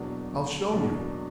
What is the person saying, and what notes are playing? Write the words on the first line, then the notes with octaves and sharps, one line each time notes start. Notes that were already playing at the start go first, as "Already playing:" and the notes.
I'll show you.
Already playing: E2 B2 F#3 A#3 D4
E2 B2 F#3 A#3 D4